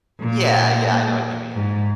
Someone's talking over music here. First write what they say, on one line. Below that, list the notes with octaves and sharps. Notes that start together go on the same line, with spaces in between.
Yeah, yeah, I know what you mean.
A#2
G#2